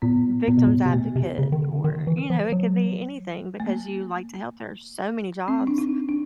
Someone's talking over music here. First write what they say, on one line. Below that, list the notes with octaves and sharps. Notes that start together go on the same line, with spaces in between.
victim's advocate or, you know, it could be anything because you like to help, there are so many jobs
A#2 B3
A#2 B3
B2
A#2
C3
B2 A3
C3
C#3
D#3
D3
D#3
E3
F3
F#3
A3
A#3
C4
D4
D#4
D4